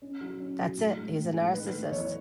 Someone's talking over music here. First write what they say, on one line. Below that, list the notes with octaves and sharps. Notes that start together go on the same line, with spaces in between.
That's it, he's a narcissist.
C#4
F#3
C#4
F#3
A2
G#3
A2
G#3
D#3 B4
A3
E2 C#5